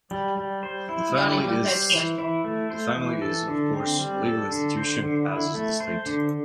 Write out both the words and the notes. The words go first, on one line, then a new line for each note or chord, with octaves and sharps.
The family is, of course, a legal institution as is the state.
G3
G3
C5
E4
G3
G3
C5
E3
E4
A3
C5
E3
A4
D3
C4
G3
A4
D3
C5
D3
E4
A3
C5
D3